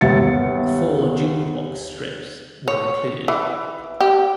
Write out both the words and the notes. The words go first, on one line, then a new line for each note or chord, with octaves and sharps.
Four jukebox strips were included.
G1 D#2 B3 E5 A6 C#7
C#5
E3
G4